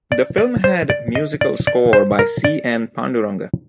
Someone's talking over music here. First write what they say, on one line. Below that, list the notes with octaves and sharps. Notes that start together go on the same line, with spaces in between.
The film had musical score by C. N. Panduranga.
D5
D5
C5
D5
D#5
D5
D5
C5
A#4
D5